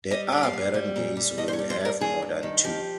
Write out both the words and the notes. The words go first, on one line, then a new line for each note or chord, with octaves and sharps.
There are barangays who have more than two.
G3 D#5
G3
F5
A#2
G3
A#2
G3
G2 D#5
C5
C#5
G3
C5
G2 A#4
G2 G#4
G2
D#3
F3 G4